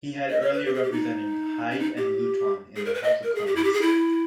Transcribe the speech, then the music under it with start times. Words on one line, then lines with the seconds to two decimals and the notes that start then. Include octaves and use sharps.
He had earlier represented Hyde and Luton in the House of Commons.
0.30 D#5
0.41 C#5
0.53 B4
0.65 G4
0.74 G#4
0.83 G4
0.92 D#4
1.71 C#4
1.79 D#4
1.97 G4
2.76 G#4
2.85 A#4
2.94 B4
3.03 D#5
3.23 A#4
3.35 G#4
3.47 G4
3.56 E4
3.64 G4
3.73 G#4
3.82 E4